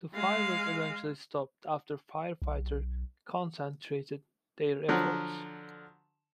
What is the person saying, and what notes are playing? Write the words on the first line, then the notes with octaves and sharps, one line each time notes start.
The fire was eventually stopped after firefighters concentrated their efforts.
G#3 F5
B1
D3 F3 F#3